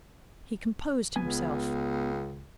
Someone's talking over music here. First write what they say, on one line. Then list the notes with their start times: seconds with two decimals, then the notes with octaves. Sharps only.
He composed himself.
1.16 C#2 B3 G#5